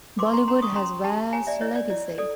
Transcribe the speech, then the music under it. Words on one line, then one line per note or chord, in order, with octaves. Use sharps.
Bollywood has vast legacy.
B4 C6 D6
C#6
A#5 C6
C#4 A#5 C6
C#6 D#6
C#4 A#5 C6
G4 A5 B5
C#5 G#5 A#5
D5 E5
E4 C#5 D#5
D5
E4 D5
A4 D5